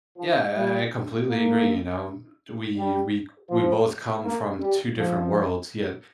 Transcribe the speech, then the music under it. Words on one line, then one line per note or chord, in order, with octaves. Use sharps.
yeah, I I completely agree, you know, t we've we c we both come from two different worlds, yet,
F3
G3
A#3
G3
F3
A#3
G3
F3